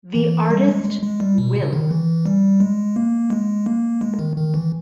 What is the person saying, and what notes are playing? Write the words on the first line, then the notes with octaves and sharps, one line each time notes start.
The artist Wilh.
E3
G3
G#3
G#3
G#3
G3
B2
C#3
D#3
E3
G3
G#3
A#3
G#3
A#3
G#3
D#3
D#3
E3